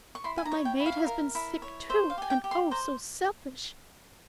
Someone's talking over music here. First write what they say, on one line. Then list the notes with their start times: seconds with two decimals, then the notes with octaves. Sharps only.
But my maid has been sick, too; and oh, so selfish!
0.15 C#6
0.24 E4 C6
0.38 G#5
0.45 A#5
0.52 C#5
0.65 G5
0.80 E4
0.86 F5
1.07 A#4
1.35 E4
1.62 C#5
1.90 C5 E5
2.10 F5
2.18 G4 G#5
2.30 G5
2.44 G4
2.51 C6
2.71 C5 A#5